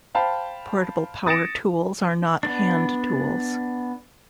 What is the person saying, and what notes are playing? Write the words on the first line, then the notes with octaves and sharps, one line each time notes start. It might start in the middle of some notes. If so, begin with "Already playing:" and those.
Portable power tools are not hand tools.
C5 F5 G5 A5 B5
D#6 A6 A#6 C#7 D7 E7
B3 D4